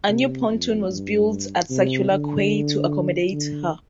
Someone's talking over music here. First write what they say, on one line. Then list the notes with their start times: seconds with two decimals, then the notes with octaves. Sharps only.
A new pontoon was built at Circular Quay to accommodate her.
0.09 C3
0.49 F2
0.89 G2
1.70 C3
2.11 D3
3.32 D3